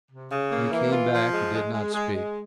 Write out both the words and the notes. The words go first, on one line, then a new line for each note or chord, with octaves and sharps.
When he came back, he did not speak.
C3
C#3
A#3
E3
F4
F3
G#3
G#3
G#3
G#3
G#3